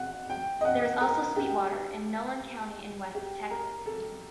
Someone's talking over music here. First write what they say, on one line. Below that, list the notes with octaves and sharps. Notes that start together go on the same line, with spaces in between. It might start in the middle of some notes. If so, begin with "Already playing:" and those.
There is also Sweetwater in Nolan County in West Texas.
Already playing: F#5
G5
D#5
F#5
A#4
G4
G4
A#4
A4